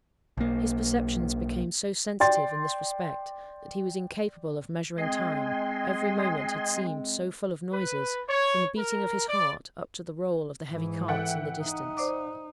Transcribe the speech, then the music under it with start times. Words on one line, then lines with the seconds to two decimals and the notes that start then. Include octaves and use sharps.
His perceptions became so sensitive in this respect that he was incapable of measuring time, every moment had seemed so full of noises, from the beating of his heart up to the roll of the heavy carts in the distance.
0.37 B1 A#3
2.20 D5 G5 C6 A6
4.98 G#3 C4 D#5 G5 G#5 C6
7.73 B4
8.28 C#5
8.77 A#4
9.28 D5
10.69 G#2 E3
11.08 A4 E5 F#5 G5
11.63 D#4
11.97 C5 D5 D6